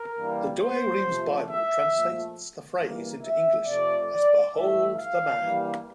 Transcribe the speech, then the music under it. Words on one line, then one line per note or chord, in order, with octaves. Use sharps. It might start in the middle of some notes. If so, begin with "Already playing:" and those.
The Douay-Rheims Bible translates the phrase into English as Behold the man!
Already playing: A#4
G2 E3 G3 A#3
C5
C3 F3 A3
E5
A#2 F3 A3
G2 E3 A#3
E5
C3 F3 A3 D5
D5
A2 E3 A3 E5
F5
G2 E3 G3 A#3